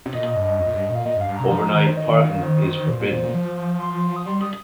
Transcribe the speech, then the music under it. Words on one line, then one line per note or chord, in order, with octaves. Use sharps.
Overnight parking is forbidden.
C3
A#2 D#5
G2
F2
A#2
G2
A#2
F5
A#2 D#5
G2
F5
G2
C3 A#5
F3
D#3
C5
D#5
F5
C5
A#2 C5
A#2
A#2
A#2
F3
C6
D#6
G3 C6
D#6